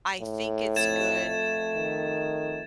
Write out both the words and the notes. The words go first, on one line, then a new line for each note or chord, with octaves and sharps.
I think it's good
A2
F2 A3 G#6 A6 E7
D#3